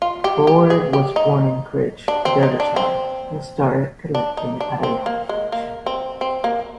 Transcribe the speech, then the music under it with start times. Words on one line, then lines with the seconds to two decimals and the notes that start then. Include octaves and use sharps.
Bower was born in Crich, Derbyshire and started collecting at a young age.
0.02 F4
0.24 G4
0.47 G4
0.70 G#4
0.93 G4
1.16 D#4
2.08 D4
2.25 C4
2.43 D#4
2.60 D4
2.76 C4
4.15 D4
4.37 D#4
4.61 D4
4.83 C4
5.06 A#3
5.29 G#3
5.52 A#3
5.86 C4
6.21 C4
6.44 A#3